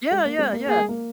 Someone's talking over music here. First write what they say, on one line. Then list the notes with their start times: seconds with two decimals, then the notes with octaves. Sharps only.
Yeah, yeah, yeah.
0.11 G#3
0.25 A#3
0.38 G#3 C4
0.53 A#3
0.67 A#3 G#4
0.78 G#3
0.89 A#3